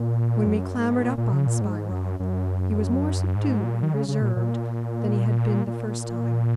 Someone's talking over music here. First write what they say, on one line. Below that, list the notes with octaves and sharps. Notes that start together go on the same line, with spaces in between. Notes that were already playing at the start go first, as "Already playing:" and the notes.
When we clambered up on Spy Rock, he was more subdued and reserved than he had been the first time.
Already playing: A#2
F#2
G#2
A#2
A#2
C#3
A#2
G#2
F#2
F#2
G#2
A#2
D#3
C#3
C#3
A#2
A#2
A#2